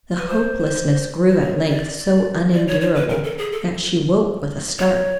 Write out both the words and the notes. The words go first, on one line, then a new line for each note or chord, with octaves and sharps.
The hopelessness grew at length so unendurable that she woke with a start.
B4
C5
C5
C#5
D5
D5
C#5
C#5
B4
A#4
A4
G#4
A4
C#5